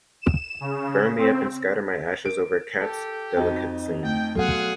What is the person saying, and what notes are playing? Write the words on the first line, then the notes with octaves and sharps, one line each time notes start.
Burn me up and scatter my ashes over Katz's Delicatessen.
E7
C#3
C4
A#4 D7
G4 A4
F2 D#4 F#4 D#5 G5
A3 G5
B2 F#3 F4 F#4 G#4 A4 F#5